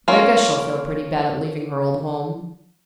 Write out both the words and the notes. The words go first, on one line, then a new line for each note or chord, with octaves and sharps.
But I guess she'll feel pretty bad at leaving her old home.
A#3 C#4 F4